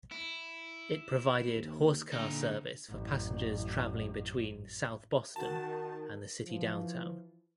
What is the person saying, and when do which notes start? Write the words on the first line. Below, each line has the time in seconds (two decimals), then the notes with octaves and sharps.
It provided horsecar service for passengers traveling between South Boston and the city downtown.
0.11 E4
1.55 D#2
2.12 A#2 D3 D#4
2.89 A1 F#2
5.36 D#3 F#4 A5
6.46 E3 F3